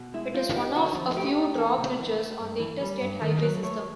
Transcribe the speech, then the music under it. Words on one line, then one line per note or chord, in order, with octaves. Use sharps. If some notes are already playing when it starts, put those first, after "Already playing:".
It is one of a few drawbridges on the Interstate Highway System.
Already playing: B2
G#3 E4
C4 F4
D#4 G4
D3 F#4
F3
A3 G4
D4
E2 A4
C3
E3
A3
G2
E3
G3
G2
D#3 A#4
F#3 B4
A3 C#5